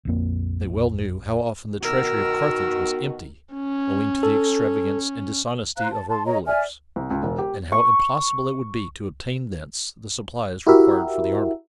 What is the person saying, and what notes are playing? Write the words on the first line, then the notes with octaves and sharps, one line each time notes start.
They well knew how often the treasury of Carthage was empty owing to the extravagance and dishonesty of her rulers, and how impossible it would be to obtain thence the supplies required for the army.
A#1 F2 A#3
B2 D#3 F#4 A#4 E6
C#4
A4
C5 F5 A#5 F#6
A5
A5 C6
C#5 D#5 A#5
D5 E5 G#5 F6
C2
C#2
E1
G4
C#6
E4 F#4 G4 A#4 E5